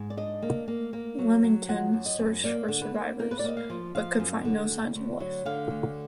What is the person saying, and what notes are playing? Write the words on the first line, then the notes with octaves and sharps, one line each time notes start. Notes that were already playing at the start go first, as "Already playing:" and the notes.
"Leamington" searched for survivors but could find no signs of life.
Already playing: G#2
D5
D4 D#5
A#3
A#3
A#3
F#3
F#3
F3 F#5
F#2
D#5
F#2
A#3 D5
D3
B4
A#3
A#3 A#4
B4
D5
A#3 D#5
F5
F3
F3 F5
F#2
D3
D2
D2
F#3
D3 F5
D2